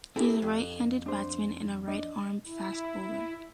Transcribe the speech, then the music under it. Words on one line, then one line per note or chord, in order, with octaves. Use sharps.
He is a right-handed batsman and a right-arm-fast bowler.
C4 E4 G4 A4
F2
D4 C5
D4 D#5
E4